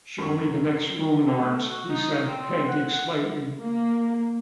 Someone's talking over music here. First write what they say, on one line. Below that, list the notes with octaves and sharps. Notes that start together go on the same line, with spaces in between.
"Show me the next room, Lawrence," he said, panting slightly.
F#2 C#6
D3
A3
F#4
D#4
C4
C4
F#5
A#3